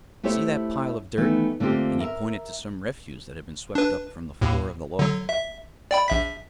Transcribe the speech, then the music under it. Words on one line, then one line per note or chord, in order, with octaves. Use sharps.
"See that pile of dirt?" and he pointed to some refuse that had been swept up from the floor of the loft.
A3 E4 G4 C5 C#5 E5
D#3 E3 A3 B3
D3 A3 A#3 C4 F4 G4
A#4 E5
D4 B4
D#2 A2
D3 F#3
E5
D5 G5 B5
A#1 E5 B6